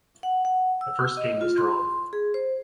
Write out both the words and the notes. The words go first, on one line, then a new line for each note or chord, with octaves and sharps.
The first game was drawn.
F#5
F#5
E6
D#5
F4
C6
G#4
C5